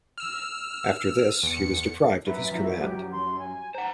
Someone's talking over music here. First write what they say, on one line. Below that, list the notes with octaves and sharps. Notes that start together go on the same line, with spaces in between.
After this he was deprived of his command.
E6 F6
E2 C#7
F#2 B4 E5
F3 E4
F#3 G4
C6
G#5
C5 F#5 A#5